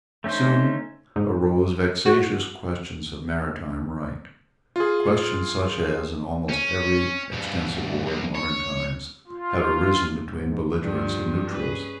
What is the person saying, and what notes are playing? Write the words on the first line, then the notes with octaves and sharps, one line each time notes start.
Soon arose vexatious questions of maritime right, questions such as, in almost every extensive war of modern times, have arisen between belligerents and neutrals.
A3 C#4 D#4 C5
G#2
F#4
F4 G#4
C#4
G2 B2
B1
C#5
F4
G#2
G2 F3 F4
C#4 G#4 B4